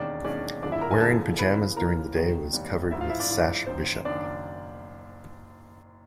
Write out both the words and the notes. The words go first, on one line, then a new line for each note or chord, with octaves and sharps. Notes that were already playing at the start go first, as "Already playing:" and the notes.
Wearing pyjamas during the day was covered with Sash Bishop.
Already playing: E1 D#2 D#3 G#3 C#4 D4 D5
E1 D#2 D#3 G#3 C#4 D4 D5
G1 F#2 D3 F3 G#3 D4 D5
E4 E5
A#4 A#5
G#4 G#5
G1 F#2 D3 F3 G#3 A4 A5
D#2 C#3 E3 B4 B5
D#2 C#3 E3 A#4 A#5
F1 D#2 D#3 G3
F1 D#2 D#3 G3
A1 G#2 F3 E4 E5
F4 F5
E4 E5
D4 D5
A1 G#2 F3
F#1 F#2 D#3 C5
F#1 F#2 D#3 D4 D5